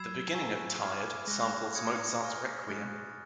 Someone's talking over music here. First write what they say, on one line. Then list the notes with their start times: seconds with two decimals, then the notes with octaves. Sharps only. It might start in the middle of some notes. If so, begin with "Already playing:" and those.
The beginning of "Tired" samples Mozart's Requiem.
Already playing: F#3 B5 E6 G#6 C7 E7
0.34 G#5 C#6 E6
0.81 B5 D6 F6 G#6
1.27 G#3 C#6 F#6 A#6
1.75 B5 D#6 G#6 C#7
2.22 G#5 C#6 F6 A#6
2.69 G#3 F#6 A6 C#7